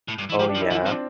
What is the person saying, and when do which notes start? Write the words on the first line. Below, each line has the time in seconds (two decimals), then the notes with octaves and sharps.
Oh, yeah?
0.08 A2
0.18 G2
0.29 E3
0.39 F3 G4
0.49 D4
0.55 F3
0.61 E4
0.70 E3 F4
0.82 C4
0.86 F3
0.91 D4